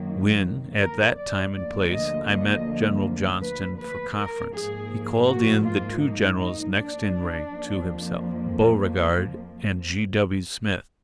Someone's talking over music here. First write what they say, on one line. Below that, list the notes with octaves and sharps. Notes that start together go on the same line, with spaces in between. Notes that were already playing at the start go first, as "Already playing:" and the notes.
When at that time and place I met General Johnston for conference, he called in the two generals next in rank to himself, Beauregard and G. W. Smith.
Already playing: F#2 D#3 A#3
A#4
D5
D2 D3 F3 A#3 D5
D#5
D#5
B4
B4
A#4
G#2 F3 A#3 G#4
F#4
F4
D#4
D#4
D4
F2 F3 A#3